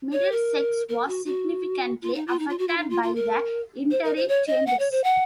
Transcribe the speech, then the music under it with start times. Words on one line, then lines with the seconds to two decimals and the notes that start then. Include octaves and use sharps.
Middlesex was significantly affected by the interim changes.
0.12 C#5
0.32 A#4
0.89 A#4
1.08 F#4
1.26 F#4
2.02 F4
2.15 D#4
2.27 F4
2.39 D#4
2.49 F4
2.59 F#4
2.68 F4
2.77 D#4
2.90 F4
3.03 F4
3.16 A#4
3.91 C5
4.04 A#4
4.16 C5
4.28 C#5
4.47 D#5
4.67 F#5
4.79 C#5
4.92 C5
5.04 F#5